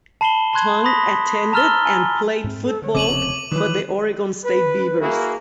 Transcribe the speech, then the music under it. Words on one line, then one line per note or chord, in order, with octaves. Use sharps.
Tongue attended and played football for the Oregon State Beavers.
A5 B5 C7 E7 F#7 G7
A5 B5 C6 F#6 G#6
B5 C6 D#6 A#6 B6
A5 A#5 E6 F6 A6 G7
G#5
G#2 C4
A4
D3 C#5
F1 D#2 C#3 C4 C#5 D6 D#7 F#7
D#3 E3 F#3 G3 B4
B4
A#3 E4 F#4 G#4 A#4